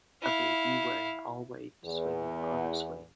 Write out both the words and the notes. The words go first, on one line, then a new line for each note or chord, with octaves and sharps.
A baby wearing all white swinging on a swing.
E4 F5
E2